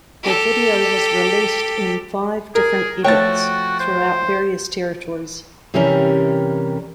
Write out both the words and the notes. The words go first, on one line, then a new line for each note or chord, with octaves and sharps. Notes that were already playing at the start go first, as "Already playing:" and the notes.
The video was released in five different edits throughout various territories.
G4 A4
G#4 A#4
F3 A3 F#4 C#5 G5 A6
C5
C3 E3 G3 C#4 A#4